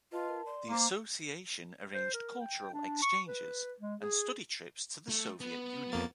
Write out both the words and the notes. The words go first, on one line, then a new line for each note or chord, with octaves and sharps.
The association arranged cultural exchanges and study trips to the Soviet Union.
F4 B4 D#5 A5
A#4 A5
D5 C6
A#3 C5 D6
C5
A#4
G5
D4
C#6
B4
G#3
G#4
A3
B3
F2 A#3 A6